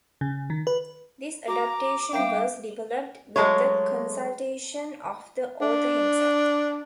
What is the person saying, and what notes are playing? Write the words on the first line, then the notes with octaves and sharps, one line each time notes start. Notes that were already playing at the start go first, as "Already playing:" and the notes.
This adaptation was developed with the consultation of the author himself.
C#3
D#3
B4
F#4 A#5 D6
G3 D4 A#4 E5 F5 G5 A#5
F#3 G#3 A3 C#5
D4